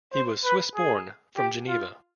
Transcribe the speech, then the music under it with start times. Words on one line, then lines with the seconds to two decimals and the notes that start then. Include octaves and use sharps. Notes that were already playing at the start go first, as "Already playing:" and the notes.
He was Swiss-born, from Geneva.
0.13 C5
0.44 B4
0.75 G#4
1.37 G4
1.68 F4